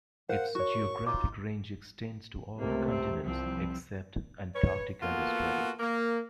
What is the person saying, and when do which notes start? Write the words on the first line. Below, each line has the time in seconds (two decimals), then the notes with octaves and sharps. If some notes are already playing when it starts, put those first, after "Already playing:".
Its geographic range extends to all continents except Antarctica and Australia.
0.29 A#4 C5 F5 F#5
0.55 F#4 C#5 C#6
1.07 D#4 F4 D6
2.59 C#2 C3 A3 A#3
2.89 C4
3.24 C2 E3 F3 C4
4.55 B4 C#5
5.00 A#3 B3 F4 F#4 A4
5.78 A#3